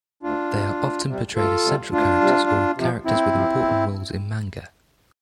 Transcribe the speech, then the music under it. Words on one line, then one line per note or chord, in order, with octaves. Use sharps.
They are often portrayed as central characters or characters with important roles in manga.
D2 D4 F4
C3 G3
D2
C3 G3
D2 F4 A4
C3 G3
D2 D4 F4
C3 G3
E2
C3 F3
E2 C4 E4
C3 F3
E2